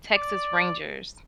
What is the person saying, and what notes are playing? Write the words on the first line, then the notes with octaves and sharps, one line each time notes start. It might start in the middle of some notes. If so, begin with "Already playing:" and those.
Texas Rangers
D5